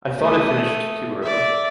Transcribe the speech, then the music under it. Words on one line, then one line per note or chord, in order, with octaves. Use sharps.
I thought it finished too early.
A3 D#6
D5 E5